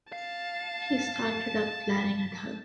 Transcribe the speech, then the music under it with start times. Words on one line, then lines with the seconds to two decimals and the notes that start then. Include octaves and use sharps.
He started up, glaring at her.
0.12 F5 A5